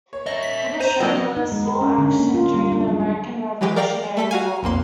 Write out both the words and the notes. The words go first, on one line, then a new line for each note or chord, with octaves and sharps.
British regulars saw action during the American Revolutionary War.
C#5
A#4 D#5 E5
B6
C5 A#5 D#7
F3 F#3 C4 D4 D#5
D#4
G#3
A#4
C#4
D3
A#3
F4
G3
D4
F#3
G#3
E3 F#3 G#3 G4
A#4 D5 F5 G5 F6 A#6
A3 A4 B6
F#4 F5 G#5
B1 F2 A#3 C6